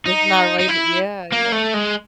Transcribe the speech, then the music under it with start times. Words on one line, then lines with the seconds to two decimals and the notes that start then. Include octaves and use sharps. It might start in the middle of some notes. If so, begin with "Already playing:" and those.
It's not right it yeah, yeah.
0.06 D#4
0.59 D#4
0.68 E4
1.32 A#3
1.52 A3
1.74 G#3